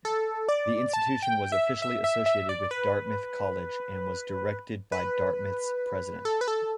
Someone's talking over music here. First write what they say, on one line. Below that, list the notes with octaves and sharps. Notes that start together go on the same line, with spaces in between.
The institution was officially associated with Dartmouth College and was directed by Dartmouth's president.
A4
D5
A5
G5
E5
E5
E5
E5
D5
B4
B4
A4
B4
A4